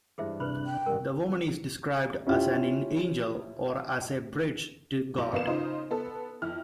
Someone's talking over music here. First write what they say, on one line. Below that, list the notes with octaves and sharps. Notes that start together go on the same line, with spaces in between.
The woman is described as an 'angel' or as 'a bridge to God'.
G2 E3 G#4 C5 E5
C3 D4 B4 B5 F#6
G5
A1 G2 A#4
C#4 E4 F4 G4
B1 D6
A1 A#3 B3 F5 C7 E7
C#3 D#4 F4 C5
B3 A4
F2 E4 F6